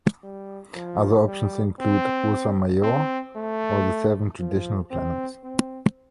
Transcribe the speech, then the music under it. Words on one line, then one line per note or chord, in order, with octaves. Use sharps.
Other options include Ursa Major, or the seven traditional planets.
G3
F3
G3
C4
C4
A3
F3
C4
C4